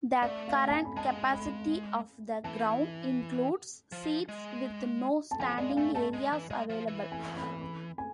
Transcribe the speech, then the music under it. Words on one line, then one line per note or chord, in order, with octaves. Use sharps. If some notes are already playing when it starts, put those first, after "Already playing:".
The current capacity of the ground includes seats with no standing areas available.
A3 D5
F5
A5
G#5
B5
G#3 A5
B5
E3 A5
F3
G#3
A5
F3 G#5
G#3 D5
F5
A3 G#5
A3 A5
G#3
E3
G#3
F3
E3
G#5
B5
B5
G#5